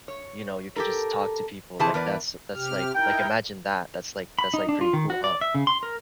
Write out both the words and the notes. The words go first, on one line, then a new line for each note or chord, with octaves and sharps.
you know, you could just talk to people, like that's that's like like imagine that, that's like that's like pretty cool, huh,
C#5
G4 A4 A#4
C3 E3 C4 G#4 A5
E2 A#4 B4 D5
C3 G4 F6
D#4 E4 A#4 G5
B5
D#4
D4
F4
D#3
F#4
D5
E5
C#3
C6
A#4